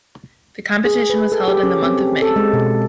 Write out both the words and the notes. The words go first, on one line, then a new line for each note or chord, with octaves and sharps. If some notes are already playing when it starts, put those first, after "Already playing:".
The competition was held in the month of May.
G#4
B4
A4
G4
C#4
C4
G4
A4
G#3
B2